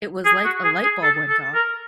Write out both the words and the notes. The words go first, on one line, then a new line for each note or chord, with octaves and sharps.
It was like a light bulb went off.
G#4
F#4
G#4
G#4
A4
A4
A#4